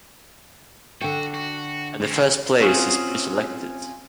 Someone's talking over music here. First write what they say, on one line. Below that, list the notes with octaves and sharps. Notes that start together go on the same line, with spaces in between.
And the first place is pre-selected.
D3 F#4 G5
F#4
C4 C#4
C4 C#4 F4 F#4 G#4 C5